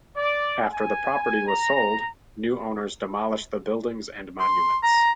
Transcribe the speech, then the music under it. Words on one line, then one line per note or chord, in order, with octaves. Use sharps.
After the property was sold, new owners demolished the buildings and monuments.
D5
G#5
A#5
C6
A#5